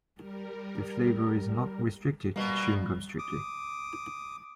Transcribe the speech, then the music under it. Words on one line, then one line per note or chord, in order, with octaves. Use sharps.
The flavour is not restricted to chewing gums strictly.
G3 A#4
B2 G3 A#3
D6 D#6